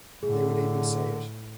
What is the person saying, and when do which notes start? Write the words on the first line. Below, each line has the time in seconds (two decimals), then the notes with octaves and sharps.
They would even say it.
0.23 A2 D3 G#4